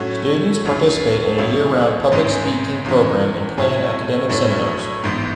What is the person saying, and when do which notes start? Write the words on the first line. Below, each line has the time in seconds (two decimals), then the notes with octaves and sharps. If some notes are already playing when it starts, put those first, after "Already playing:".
Students participate in a year-round public speaking program and plan academic seminars.
Already playing: A2 F#3 A3 C#4 F#4
0.65 D2 D3 F#3 C#4
1.38 C#2 B2 F#3 C#4 E4
2.12 A1 G#2 G#3 C#4 G#4
2.85 E2 C#3 E3
3.57 B1 A2 F#3
4.29 B1 A2 F#3 A3 D4
5.03 A1 G#2 E3 G#3 B3